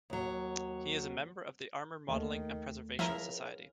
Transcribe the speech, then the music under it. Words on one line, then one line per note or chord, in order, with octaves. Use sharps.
He is a member of the Armor Modeling and Preservation Society.
D#2 F#3
D#2 D#3 A3
C#2 F3 E4 F4 A#4 E5